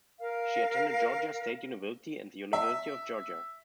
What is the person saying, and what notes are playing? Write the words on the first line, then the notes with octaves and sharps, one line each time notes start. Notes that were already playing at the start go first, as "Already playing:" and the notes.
She attended Georgia State University and the University of Georgia.
A#4 F5
E5